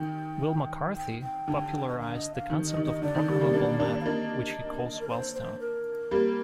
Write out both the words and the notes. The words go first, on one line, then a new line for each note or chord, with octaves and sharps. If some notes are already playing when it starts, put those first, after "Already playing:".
Wil McCarthy popularized the concept of programmable matter, which he calls "wellstone".
Already playing: D#3 G5
G5
G5
D3
D#5
F5
D#5
F5
D#3
D#5
D#3
D#5
D3 D5
D#3
D#3 G3
G3 A#3
A#3 D4
A#3 D4
F5
A#3 D4 D#5
A#4
C5
C5
A#4
G3 A#3